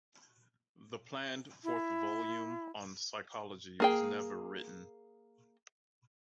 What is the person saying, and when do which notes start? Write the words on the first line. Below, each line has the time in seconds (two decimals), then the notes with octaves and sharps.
The planned fourth volume on psychology was never written.
1.64 E4
3.80 A#3 G#4 G5